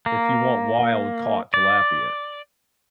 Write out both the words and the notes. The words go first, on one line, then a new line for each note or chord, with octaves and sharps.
if you want wild-caught tilapia,
A#3
D5